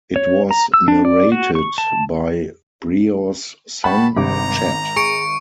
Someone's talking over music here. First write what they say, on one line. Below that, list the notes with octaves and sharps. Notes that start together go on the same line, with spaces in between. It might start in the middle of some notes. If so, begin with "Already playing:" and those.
It was narrated by Breau's son, Chet.
C#5
A#5
E6
D4
D5
F#4
C#6
A5
F#5 G5 A5 B5 C#6
G#1 G2 C3 A#5 D6
G#4 C#6 C#7 D7